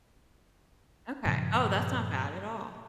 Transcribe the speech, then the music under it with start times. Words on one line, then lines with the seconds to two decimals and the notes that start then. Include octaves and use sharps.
Okay, oh, that's not bad at all.
1.25 G2 A#2 C#3 F3